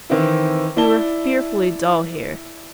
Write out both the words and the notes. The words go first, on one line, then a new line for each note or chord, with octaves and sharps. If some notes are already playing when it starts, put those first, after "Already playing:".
We were fearfully dull here....
D#3 E3 C4 E4
E4 D5 E5 A5 G7